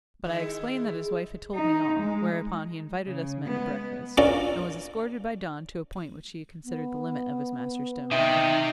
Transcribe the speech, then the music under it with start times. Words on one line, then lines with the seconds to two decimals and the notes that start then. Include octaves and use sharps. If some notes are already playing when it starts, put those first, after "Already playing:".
But I explained that his wife had told me all, whereupon he invited us men to breakfast, and was escorted by Don to a point which he considered the limit of his master's domain.
0.24 D#3 G#3 E4
1.55 D#4
1.99 G#3
3.06 C#3
3.45 G#3 B3
4.18 C#4 D4 F4 A4 A#4 D5
6.65 B3
8.12 C3 D#4 E5 G5